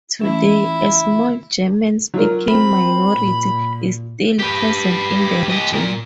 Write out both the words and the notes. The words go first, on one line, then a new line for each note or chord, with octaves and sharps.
Today, a small German-speaking minority is still present in the region.
E3 A3 C#4 E4
F#3 F4 A#4
C4 B5
A#2
G4 B4
G4 D#5
A#2 A#4